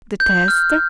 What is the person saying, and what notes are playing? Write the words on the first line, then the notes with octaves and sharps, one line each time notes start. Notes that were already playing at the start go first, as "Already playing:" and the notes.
"The test?"
G6
F6